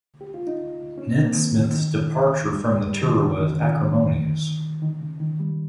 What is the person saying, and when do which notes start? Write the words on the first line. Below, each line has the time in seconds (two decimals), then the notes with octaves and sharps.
Nesmith's departure from the tour was acrimonious.
0.21 G4
0.34 F4
0.47 D#4
0.98 C#4
1.11 C4
1.23 A#3
1.36 D#3
1.55 C#3
1.74 D#3
2.51 G3
2.71 G#3
2.90 G3
3.01 D#3
3.09 C#3
3.28 C#3
3.40 D#3
3.51 C#3
3.62 D#3
3.73 C#3
4.05 D#3
4.82 D#3
5.01 C#3
5.20 D#3
5.40 G3